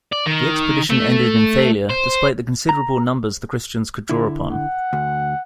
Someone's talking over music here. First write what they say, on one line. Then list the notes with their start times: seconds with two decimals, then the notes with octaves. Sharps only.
The expedition ended in failure, despite the considerable numbers the Christians could draw upon.
0.12 D5
0.26 D#3
0.90 A3
1.90 C5
2.69 A#5
4.09 D3 E4
4.51 F#5
4.93 D2